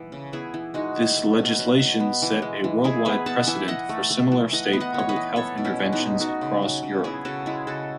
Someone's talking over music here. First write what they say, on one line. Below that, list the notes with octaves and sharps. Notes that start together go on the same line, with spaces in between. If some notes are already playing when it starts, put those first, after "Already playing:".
This legislation set a worldwide precedent for similar state public health interventions across Europe.
Already playing: E3 B3
C#3
B3 E4 G#4
E3
G#3 D#4 F#4
E3
A3
B2
F#3
B2
B3
E3
G#3
E3
E3 E4 G#4
B3 G#4 B4
B3 F#5 A5
E3 E5 G#5
E3 D#5 F#5
A3
A3
E3
E3 D#5 F#5
B3
D#5 F#5
B3 C#5
B4 D#5
E3
B3 A4 C#5
B2
C#4 E4
G#3
B3 D#4
B2
A3 D#4 F#4
C#3
F#3
C#3
B3 E4 G#4
C#3 F#4 A4
G#3 E4 G#4
C#3 F#4 A4